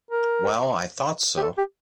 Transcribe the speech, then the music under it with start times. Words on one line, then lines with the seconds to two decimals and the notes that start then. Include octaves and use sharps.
Well, I thought so.
0.11 A#4
1.37 G4
1.42 A4
1.58 G4